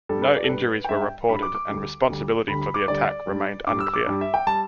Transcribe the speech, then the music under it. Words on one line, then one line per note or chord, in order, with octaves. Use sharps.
No injuries were reported and responsibility for the attack remained unclear.
G2 G3 A4
B4
D5
A4
G2 G3 B4
G5
G2 G3 E5
G5
G2 G3 B5
D6
D6
D2 D3 G3
D2 D3 G3
D2 D3 G3 B5
B5
D6
D2 D3 G3 D5
G2 G3
G2 D6
G3
E6
D6
G2 G3
E5
G5
G3 A5